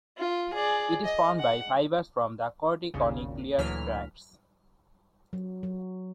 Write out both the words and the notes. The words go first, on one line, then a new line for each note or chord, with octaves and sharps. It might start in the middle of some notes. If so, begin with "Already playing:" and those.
It is formed by fibers from the corticonuclear tracts.
F4
G#4 D5
D#5
F#5
G#1 D#2 A#2 C#3
D2 A#2 E3 F#3 F6 B6
F#3
F#3